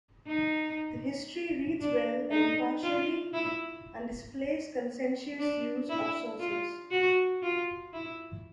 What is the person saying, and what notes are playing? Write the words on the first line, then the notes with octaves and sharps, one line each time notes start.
The history reads well and impartially, and displays conscientious use of sources.
D#4
D4
D#4
F4
E4
D4
E4
F4
F#4
F4
E4